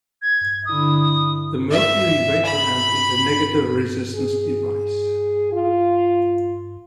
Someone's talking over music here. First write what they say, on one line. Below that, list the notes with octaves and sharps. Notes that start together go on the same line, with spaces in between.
The mercury vapor lamp is a negative resistance device.
G#6
D3 E4 D#6
E5
B5
G#4
F4